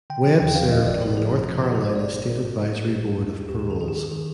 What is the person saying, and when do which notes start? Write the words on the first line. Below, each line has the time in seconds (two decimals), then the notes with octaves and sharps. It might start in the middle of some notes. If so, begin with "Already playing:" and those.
Webb served on the North Carolina State Advisory Board of Paroles.
0.10 D3 G5
0.25 F3
0.40 D#2 G5
0.55 F3 F5
0.71 F2 D#5
0.87 G1 D5
1.02 G1 A#4
1.17 F3 G#4
1.33 F2
1.48 F3
1.63 F2 G4
1.74 F2 G#4
1.85 C5
1.95 G#1 D5
2.10 G#1 C5
2.19 G#4
2.26 G#1 A#4
2.41 G2
2.57 F3
2.72 G2
2.87 G#1 G4
3.03 F3
3.18 D#2
3.34 D#2
3.49 D#2 G4
3.59 G4
3.65 D#3
3.70 G#4
3.81 D#3 G#4
3.88 G4
3.96 D#3 G#4
4.12 D#3 G#4